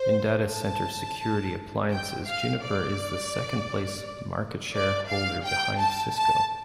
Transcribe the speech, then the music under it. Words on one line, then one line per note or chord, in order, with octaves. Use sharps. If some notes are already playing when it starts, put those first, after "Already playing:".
In data center security appliances, Juniper is the second-place market-share holder behind Cisco.
Already playing: C5
A5
G5
F5
D5
D5
F5
G5
A5
A5